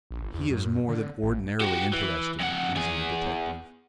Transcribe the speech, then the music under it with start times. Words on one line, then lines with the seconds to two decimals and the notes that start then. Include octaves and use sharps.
"He is more than ordinarily interested," reasoned the detective.
0.11 A#1
0.22 G1
0.34 E2
0.50 F#2
0.89 D3
1.22 A1
1.61 F#4 G4
1.93 E3
2.40 F2 F#5
2.76 E2 G#4